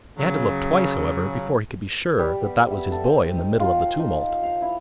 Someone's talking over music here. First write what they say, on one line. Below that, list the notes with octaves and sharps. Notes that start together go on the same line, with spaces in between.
He had to look twice, however, before he could be sure that that was his boy in the middle of the tumult.
C#3 F#3
G3
B3
E5
A4
C4
D#6
D#4
F4
D#4
F5
E4